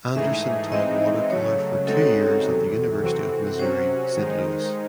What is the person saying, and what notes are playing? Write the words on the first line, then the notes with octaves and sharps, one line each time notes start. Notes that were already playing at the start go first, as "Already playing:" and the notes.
Anderson taught watercolor for two years at the University of Missouri Saint Louis.
G#2 E3 A3 D#4 G#4 E5
E3 G#3 C4 D#4 D#5
C#3 F#3 A3 C#5
C#3 G#3 C4 D#4 F#4 A4
E2 C3 F#3
C3 E3 C4 F#4
C3 F#3 C#4 F#4 C5
D#3 G#3 D#4